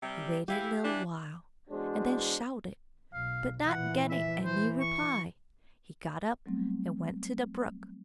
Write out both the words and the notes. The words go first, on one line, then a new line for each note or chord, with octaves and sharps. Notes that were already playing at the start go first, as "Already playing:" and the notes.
He waited a little while, and then shouted; but not getting any reply, he got up and went to the brook.
C3 G3
E3 E4 G4 F5
E3 D4
E2 G#3 D4 F#4 C5
B1 F5
A#2 E3 F#5
E5
E3 C5
C#6
F#3 G3 A3 B3 C4